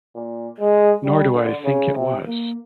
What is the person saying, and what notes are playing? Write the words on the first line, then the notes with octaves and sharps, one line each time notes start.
Nor do I think it was.
A#2
G#3
G3
D3
C#3
C3
A#3